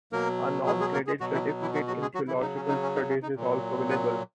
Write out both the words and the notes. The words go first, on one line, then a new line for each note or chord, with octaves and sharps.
A non-credit Certificate in Theological Studies is also available.
B2 F#3 A#3 A#4
G#3 G#4
G#3 G#4
A#3 A#4
G#3 G#4
B2 F#3 F#4
E3 E4
D#4
E3 E4
F#3 F#4
F#3 F#4
G#3 G#4
F#3 F#4
C#3 E3 F#3 E4
D#4
C#4
D#4
C#4
D#4
C#4
D#4
A#2 F#3
B3 B4